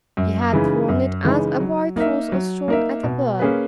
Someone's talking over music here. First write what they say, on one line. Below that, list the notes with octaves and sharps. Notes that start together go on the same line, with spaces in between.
He had thrown it as a boy throws a stone at a bird.
F#2
C#3 E3 G#3 D#4
F#2
C#3 E3 G#3 D#4
F#3
A#3 D#4 A#4 E5
F#3
A#3 D#4 A#4 E5
B2
A#3 C#4 G#4 B4